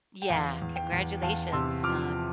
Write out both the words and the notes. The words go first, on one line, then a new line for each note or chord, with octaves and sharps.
Yeah, congratulations on
G5
E2 F5
E2
G5
E2
E2 F5 A5
C3 C6 E6
F3 D6 F6